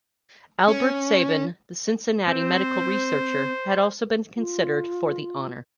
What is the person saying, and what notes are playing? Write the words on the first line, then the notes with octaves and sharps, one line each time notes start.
Albert Sabin, the Cincinnati medical researcher, had also been considered for the honor.
C#4
C4 C5
F4